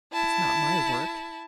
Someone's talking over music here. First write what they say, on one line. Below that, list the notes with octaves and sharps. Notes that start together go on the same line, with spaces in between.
It's not my work.
E4 A5